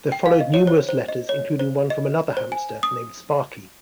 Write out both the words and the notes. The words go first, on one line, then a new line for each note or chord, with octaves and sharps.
There followed numerous letters, including one from another hamster named Sparky.
G5
F5
D#5
C#5
C5
C5
D#5
C#5
C5
D#5
C5
G#5
D#6